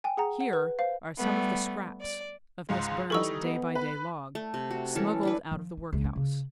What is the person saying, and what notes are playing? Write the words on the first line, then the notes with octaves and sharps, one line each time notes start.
Here are some of the scraps of Miss Burn's day-by-day log, smuggled out of the workhouse.
G5 G#5
G#4 F#5 A#5
F#5
B4
C5 F5
G3 A3 B3
D5
C#2 G#2 G#3
E3 G3 D#4 A4 C#6 E6
B3
B4
A3
C3
F#4
E3 C#4 A4
D4 E4 B4
F3
D#4
C#2
C#4
C#3